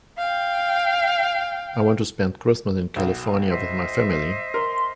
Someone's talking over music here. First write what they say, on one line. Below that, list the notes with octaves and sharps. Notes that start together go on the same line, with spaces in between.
I want to spend Christmas in California with my family.
F5 G5
B1
C5 D#5 E5
A#4 C6